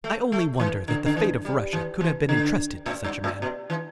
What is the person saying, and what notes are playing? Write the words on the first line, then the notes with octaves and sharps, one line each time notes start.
"I only wonder that the fate of Russia could have been entrusted to such a man."
A3
A3
E3
D3
D3
E3
G3
E3
E3
D3
A2
G2
A2
B2
E3